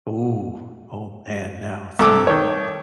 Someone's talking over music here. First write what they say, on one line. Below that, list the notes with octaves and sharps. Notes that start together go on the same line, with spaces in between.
Ooh, oh man, now, see
C2 A3 D6 E6
D#3 C#5